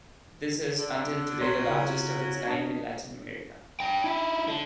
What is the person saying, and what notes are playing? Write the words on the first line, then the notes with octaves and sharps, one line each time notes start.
This is, until today, the largest of its kind in Latin America.
D3
A#1 F#3 C#4 A#4 C6
C#3 E4 F4
D4 D#5 A5
D4 G5
D#4 E4
D3